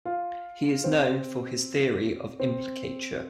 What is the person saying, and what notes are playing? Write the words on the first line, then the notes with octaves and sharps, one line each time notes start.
He is known for his theory of implicature.
F4
C4
C4